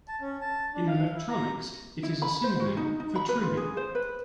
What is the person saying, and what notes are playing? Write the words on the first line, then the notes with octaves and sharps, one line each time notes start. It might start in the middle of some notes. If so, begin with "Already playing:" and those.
In electronics, it is a synonym for trimming.
A5
C#4
A5
D4
F5
E4
A#5
E4
B5
C5
F#4
D#4
D#4
B5
B4
F4
G#4
C5
B4